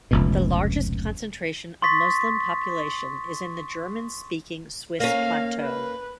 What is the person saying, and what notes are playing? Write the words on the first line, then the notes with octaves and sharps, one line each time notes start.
The largest concentration of Muslim population is in the German speaking Swiss plateau.
F1 C#2 B2
C6 C#6 D#6 A6 B6
A#3 C#4 F5
B4